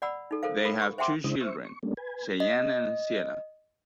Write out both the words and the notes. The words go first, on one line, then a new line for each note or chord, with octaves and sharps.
They have two children Shayne and Sienna.
D5 F#5 B5 E6
D#4 A4
A4 A#4 C5 F5
A4 A#4 B5
C#6
C5 E5 F#5 G5 C6 D6
C#3 G#3 D4 E4 C5 D#6
C5 E5 C#6
C#6
G3 A3 A#3 C#4 D4
B4 G#5
D#5